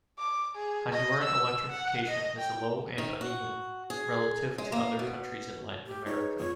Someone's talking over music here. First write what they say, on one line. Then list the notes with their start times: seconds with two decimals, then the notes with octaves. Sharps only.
Honduran electrification is low and uneven relative to other countries in Latin America.
0.19 D6
0.56 G#4
0.92 D#5
1.24 E6
1.70 F#5
2.08 D#5
2.39 G5
2.98 D#3
3.21 F#4
3.90 G#4
4.58 G#3
4.72 A#3
4.99 B2
5.86 G4
6.06 D#4 G#4 B4 C#5
6.39 F2 C#5